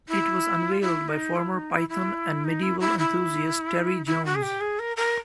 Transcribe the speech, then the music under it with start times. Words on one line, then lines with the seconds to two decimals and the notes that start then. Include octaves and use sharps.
It was unveiled by former Python and medieval enthusiast Terry Jones.
0.09 E4
0.72 F4
0.81 E4
1.08 D#4
1.35 E4
1.54 D#4
1.71 E4
1.89 E4
2.44 D#4
2.62 E4
2.80 E4
2.99 E4
4.06 E4
4.25 F#4
4.35 G#4
4.43 G4
4.61 G#4
4.79 A#4
4.97 A#4